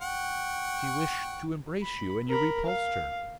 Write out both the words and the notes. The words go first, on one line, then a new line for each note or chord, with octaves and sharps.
"She wished to embrace you, and you repulsed her."
F#5 G5 C#6
B5
A#4 B5
F5